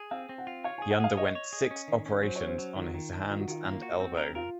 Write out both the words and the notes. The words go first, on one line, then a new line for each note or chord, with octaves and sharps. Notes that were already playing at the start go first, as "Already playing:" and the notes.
He underwent six operations on his hands and elbow.
Already playing: G#4
C4 F5
C4
F#5
F4
C#5 F5
G#4 G#5
F#5
G#4 F5
C#5 D#5
C#5
G#4
C#4
D#3
C#4
F#3 C5
C#5
C#4
C5
F#3
D#3 F4
D#3
D#3
D#3 F4
F#4
D#3 F4
A#3
F#4
C4
A#4
F4 A#4